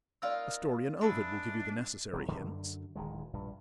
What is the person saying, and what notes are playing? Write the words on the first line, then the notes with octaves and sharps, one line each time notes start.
A story in Ovid will give you the necessary hints.
A#3 D#4 F4 D5 F5 E6
G#3 D4 E4
D#1 E2 F#3 C4
F#2 D3
D1 D#3 G#3
A#1 G2